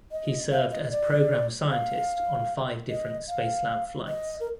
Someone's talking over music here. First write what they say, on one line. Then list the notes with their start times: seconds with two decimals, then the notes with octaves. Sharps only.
He served as Program Scientist on five different Spacelab flights.
0.12 D#5
0.52 F5
0.71 D#5
0.85 D#5
0.91 D5
1.71 F5
2.90 D#5
3.29 F5
4.08 D#5
4.40 A#4